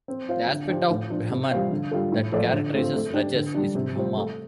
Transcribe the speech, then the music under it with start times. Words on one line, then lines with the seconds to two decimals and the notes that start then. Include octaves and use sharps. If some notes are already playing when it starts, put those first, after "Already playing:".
The aspect of Brahman that characterizes "Rajas" is Brahma.
0.08 C4
0.29 F4 C5 F5
0.49 D3
0.69 F3 D4 G4 C5
0.90 A2
1.10 F3 D4
1.30 C3
1.51 G3 F4 C5 F5
1.71 D3
1.91 G3 F4 A4
2.12 A2
2.32 F3 A3 F4 D5
2.52 D3
2.73 A3 C4 F4
2.94 A3
3.14 D4 G4
3.34 D3
3.55 G3 D4
3.75 C3
3.95 G3 F4 C5
4.16 A3